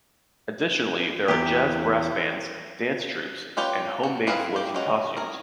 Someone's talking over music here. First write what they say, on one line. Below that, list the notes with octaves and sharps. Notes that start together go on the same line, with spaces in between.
Additionally, there are jazz brass bands, dance troupes, and home-made floats and costumes.
E2 C3 G4
C#4 F4 G4 B4
F#4
C4 E4 G#4 B4 F5
G4
G#3 C#4 F#4
G#4 A#4